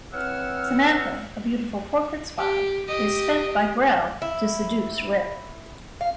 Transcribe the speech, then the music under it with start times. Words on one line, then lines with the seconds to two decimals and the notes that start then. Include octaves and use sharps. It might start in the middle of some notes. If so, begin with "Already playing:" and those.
Samantha, a beautiful corporate spy, is sent by Brell to seduce Rip.
0.13 E3 C4 C#5 F#5 E6 F6
2.38 G4
2.87 G4 D#5
4.22 E4
6.01 F5